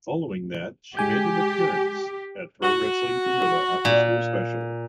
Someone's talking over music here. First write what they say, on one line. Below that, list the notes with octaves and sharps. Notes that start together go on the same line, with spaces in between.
Following that, she made an appearance at Pro Wrestling Guerrilla After School Special.
G#3 G4 G#5 G6
F#4
A#2